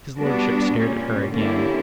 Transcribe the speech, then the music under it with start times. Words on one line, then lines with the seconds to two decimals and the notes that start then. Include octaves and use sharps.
His lordship stared at her again.
0.18 G3 B3 D4 F#4
0.76 A#2 G3 C#4
1.33 D3 A#3 C#4 E4 G4